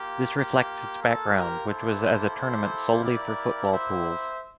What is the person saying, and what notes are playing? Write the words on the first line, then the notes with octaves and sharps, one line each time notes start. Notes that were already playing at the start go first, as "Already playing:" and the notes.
This reflects its background, which was as a tournament solely for football pools.
Already playing: A#3 F4 G4
G4
A4
G4 A#4
A#3 E4 G4 A4 C5
A4 C5
A#4 D5
C5 E5